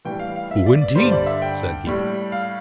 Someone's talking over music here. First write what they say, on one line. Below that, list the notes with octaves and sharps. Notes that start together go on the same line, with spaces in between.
"Who, indeed?" said he.
A2 E3 G3 G5
F5
F5
E5
D5
D5
G2 D3 G3 C5
D5
E5
G5
A2 G3
F5